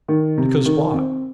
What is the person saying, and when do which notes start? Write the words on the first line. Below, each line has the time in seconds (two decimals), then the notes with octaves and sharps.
'Because why?
0.08 D#3
0.38 C3
0.65 D#3
0.94 C4